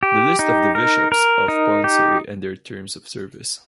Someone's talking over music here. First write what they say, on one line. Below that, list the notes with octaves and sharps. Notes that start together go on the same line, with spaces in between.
The list of the bishops of Ponce and their terms of service.
G4
D#4
A#4
A#4
D#4
G4